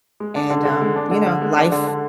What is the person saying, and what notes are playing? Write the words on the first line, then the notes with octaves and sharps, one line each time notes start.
And, um, you know, life
G#3
D4
D3
D3
G#3
D4
D3
D3
G#3
D4
D3
D3